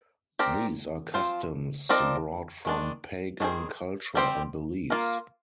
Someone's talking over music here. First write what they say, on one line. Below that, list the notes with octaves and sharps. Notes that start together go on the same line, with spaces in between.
These are customs brought from pagan culture and beliefs.
C4 G4 A#4 D5
F3 C4 F4 C5
F3 C4 D#4 A#4 D5
D#3 G#3 D4
D#3 G3 D4 G#4 C5
G3 C4 G4 C5
A#3 F4 A#4